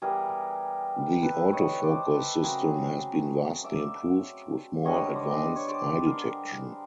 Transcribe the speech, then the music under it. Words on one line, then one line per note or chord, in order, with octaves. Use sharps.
The autofocus system has been vastly improved with more advanced eye detection.
E3 G3 B3 G#4 A#4
A4 B4
C#5 D#5
C5 D5
A4 B4
C#3 F#3 A3 C4 G#4 A#4
D5 E5
D3 G3 B3 C#5 D#5
C5 D5
D#5
D5
C#5
C5 D5
G#4 A#4